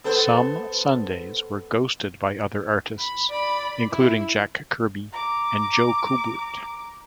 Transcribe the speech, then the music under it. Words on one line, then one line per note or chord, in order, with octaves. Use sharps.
Some Sundays were ghosted by other artists, including Jack Kirby and Joe Kubert.
B3 A4 C5
B5
D5 B5
E4
A#5 D6